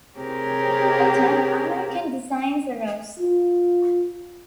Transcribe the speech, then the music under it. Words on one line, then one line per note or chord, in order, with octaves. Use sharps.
Later, American designs arose.
C3 C4 G4 G#4 A#4 C#5
F4